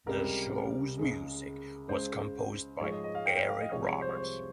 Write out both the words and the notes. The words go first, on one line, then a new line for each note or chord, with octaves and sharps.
The show's music was composed by Eric Robertson.
C#2 C3 G3 A#4
C#2 C#3 G#3
C#2 C#3 G#3 C5
G#2 F3 G#3 C#5
D#5
D#5
F5
G5
G5
F5
D#5
C2 C3 F3 G#3 C#5
C#5
C5
C#5
C5